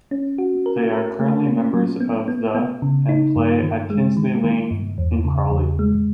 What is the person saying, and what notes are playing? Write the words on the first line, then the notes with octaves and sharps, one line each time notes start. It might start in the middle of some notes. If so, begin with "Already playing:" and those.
They are currently members of the and play at Tinsley Lane in Crawley.
C#4
F#4
A#4
A#4
A3
C#4
F#3
B3
B3
B3
C#3
D#4
G2
D#3
G#3
D#3
D#3
G2
E2
C#3
E2
G#3